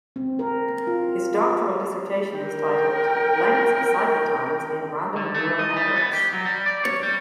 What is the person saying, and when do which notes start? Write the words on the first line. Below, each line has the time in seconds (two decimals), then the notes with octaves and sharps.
His doctoral dissertation was titled "Lengths of Cycle Times in Random Neural Networks".
0.16 C4
0.39 A#4
0.87 F4
2.37 A#4 G5
5.16 D3
5.35 A3
5.59 D#5
5.76 G3
5.96 B3
6.13 G4
6.33 F#3
6.45 G3
6.66 D5
6.84 C#5
7.03 G3